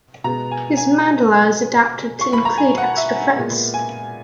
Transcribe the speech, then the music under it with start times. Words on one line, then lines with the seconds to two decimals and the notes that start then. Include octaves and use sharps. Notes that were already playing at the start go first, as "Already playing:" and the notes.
His mandola is adapted to include extra frets.
0.24 B2 G#3 B3 A#5
0.51 G#5
0.77 G#5
2.21 C#6
2.33 B5
2.45 A#5
2.58 G#5
2.78 F#5
2.97 E5
3.36 A#2 G#3 B3
3.74 G#5